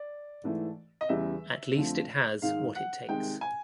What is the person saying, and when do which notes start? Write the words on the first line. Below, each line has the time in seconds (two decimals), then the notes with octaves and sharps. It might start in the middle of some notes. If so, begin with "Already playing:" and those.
At least it has what it takes.
Already playing: D5
0.44 G#2 E3 A3
1.01 D#5
1.09 E2 C#3 E3 G3 E5
1.76 F2 D3 F3 A3
2.42 G#2 D#3 G#3 F5
2.75 F#5
3.08 C2 C3 D#3 G#3 G5
3.41 G#5